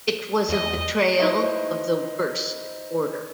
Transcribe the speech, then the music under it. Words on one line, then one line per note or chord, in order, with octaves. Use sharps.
It was a betrayal of the worst order.
E2 D#5
D#4 E4 B4 C5 D#5